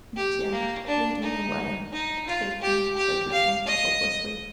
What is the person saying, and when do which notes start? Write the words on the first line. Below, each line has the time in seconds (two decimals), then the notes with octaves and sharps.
"Mitya, lead me away ... take me," said Grushenka helplessly.
0.17 G4
0.52 A#3
0.86 D4
1.22 D#4
1.93 D#4
2.27 F4
2.62 G4
2.97 G4
3.32 F5
3.66 D#5